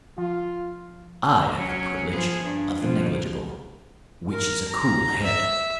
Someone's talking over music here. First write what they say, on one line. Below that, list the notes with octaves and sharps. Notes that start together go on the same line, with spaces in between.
I have the privilege of the negligible--which is a cool head.
F3 F4
F#3 C#4
F3 B3 G#4
G2
F2
A#4
A#5
E5